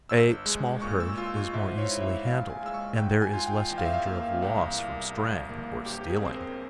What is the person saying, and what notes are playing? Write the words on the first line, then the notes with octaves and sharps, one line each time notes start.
A small herd is more easily handled, and there is less danger of loss from straying or stealing.
G1 E6
G#3
A#2 C#6
E6
F4 E6
C#6
G#2 E5
C5
C#5
E4
E5
A#1 F5
G#5
G#3 E6
C#6
G#2 G5
G#5
F4
G5
E2 G5
F5
E5
F5
A#3
C2
C2
G#1
A#3
G1 G4
G4
G#4
C4 C5
A#4